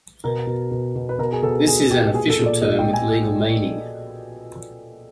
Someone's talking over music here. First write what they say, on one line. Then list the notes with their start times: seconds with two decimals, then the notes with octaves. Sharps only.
This is an official term with legal meaning.
0.24 B2 A#4
0.47 B2
0.71 B2
0.96 B2
1.09 B4
1.19 B2 A#4
1.32 G#4
1.42 B2 A4
1.67 B2 G#4
1.91 B2 G4
2.14 A#2 G#4
2.30 A4
2.39 A#2
2.46 D5
2.62 A#2 D#5
2.79 G5
2.86 A#2
2.93 G#5